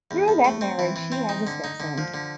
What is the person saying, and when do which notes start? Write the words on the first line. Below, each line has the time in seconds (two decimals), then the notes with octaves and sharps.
Through that marriage, she has a stepson.
0.11 E2
0.28 E2
0.45 A3
0.61 C4
0.79 E3
0.96 E3
1.12 C4
1.29 D#4
1.47 D3
1.64 D#4
1.80 D3
1.98 F3
2.14 D3